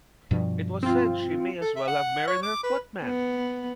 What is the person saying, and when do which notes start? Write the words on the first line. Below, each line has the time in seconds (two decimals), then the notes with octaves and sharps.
It was said she may as well have married her footman!
0.31 G2 B2 F3
0.83 C4 F4
1.61 A4
1.76 E5
1.87 F#5
2.27 C#5
2.43 D6
2.63 B4
3.02 B3